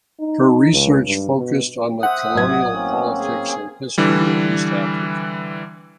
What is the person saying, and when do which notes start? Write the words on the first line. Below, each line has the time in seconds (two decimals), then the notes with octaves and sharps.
Her research focused on the colonial politics and history of East Africa.
0.19 D#4
0.72 C#2
1.05 G2
1.36 B2
2.03 C5 E5 F#5 D#6
2.35 A1 F#3 G#6
2.73 A#3 C4 C#4
3.22 G#4
3.98 D3 E3 G3